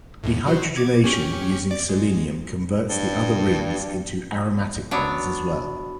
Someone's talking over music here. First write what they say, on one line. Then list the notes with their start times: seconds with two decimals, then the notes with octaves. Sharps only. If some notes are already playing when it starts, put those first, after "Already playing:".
Dehydrogenation using selenium converts the other rings into aromatic ones as well.
0.23 D#2 A2
0.46 F#3 F#4 C5
0.76 D6 G#6
1.04 C#4 G4 C#6
1.71 D5
1.89 G#3
2.89 G2
4.91 F#3 B3 D4